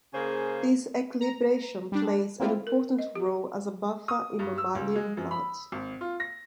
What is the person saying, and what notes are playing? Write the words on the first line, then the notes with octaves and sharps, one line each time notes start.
This equilibration plays an important role as a buffer in mammalian blood.
C#3 A#3 C#4 G#4 C5
A#5
G3 D4
A#3 C4 E4 F4
A#4
D#5
G4
D#6
G2
E6
C#2
G#3
F#2
B5
G#1
F4
A#6